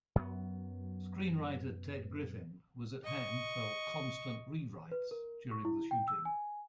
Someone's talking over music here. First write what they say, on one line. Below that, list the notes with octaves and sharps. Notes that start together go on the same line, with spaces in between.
Screenwriter Ted Griffin was at hand for "constant rewrites" during the shooting.
F#2 F#3 B3
D#5 C#6
B4
A#4
C#6
E4
G5
E6
G#5